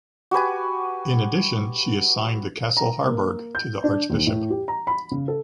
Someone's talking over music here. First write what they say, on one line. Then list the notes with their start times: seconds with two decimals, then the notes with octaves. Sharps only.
In addition she assigned the castle Harburg to the archbishop.
0.31 F#4 G4 B4 G#5
2.77 A#5
3.07 A#3
3.55 G6
3.84 D4
4.10 D#2
4.27 A2
4.50 G4
4.68 A#5
4.87 B5
5.11 C#3
5.28 A4